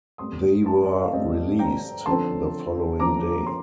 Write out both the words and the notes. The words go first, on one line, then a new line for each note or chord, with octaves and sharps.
They were released the following day.
A2 G3 C4 C6 D#6
A5 C6
D5
D#5
F5
A2 G3 C4 D#5 G5
G5 A#5
D3 F3 C4 A5 C6
D3 F3 C4 A#5 D6
C6